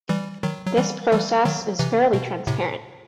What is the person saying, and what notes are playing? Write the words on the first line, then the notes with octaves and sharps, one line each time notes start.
This process is fairly transparent.
E3 G3
D#3 F#3
F#3
E3 G3
E3 G3
D#3 F#3
C3 E3
B2
A2 C3